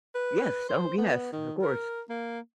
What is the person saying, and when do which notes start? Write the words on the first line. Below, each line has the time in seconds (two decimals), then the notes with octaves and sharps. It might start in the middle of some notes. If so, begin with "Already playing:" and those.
Yes. Oh, yes. Of course.
0.15 B4
0.69 C5
0.98 B3
1.33 D#3
1.62 A#4
2.09 A#3